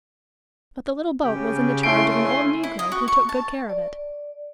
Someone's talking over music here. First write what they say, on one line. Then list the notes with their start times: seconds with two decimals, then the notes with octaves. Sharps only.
But the little boat was in the charge of an old negro who took good care of it.
1.24 C#3 G4
1.83 A3 C#4 E4 G#5 C6 D7
2.63 E4
2.79 D#5
2.92 F#4
3.08 C#6
3.29 A5
3.70 D5